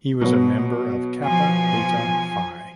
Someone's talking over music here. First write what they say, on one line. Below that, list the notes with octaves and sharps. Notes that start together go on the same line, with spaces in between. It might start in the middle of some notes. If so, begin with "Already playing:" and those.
He was a member of Kappa Beta Phi.
B2 F#3 B3
F3 G#5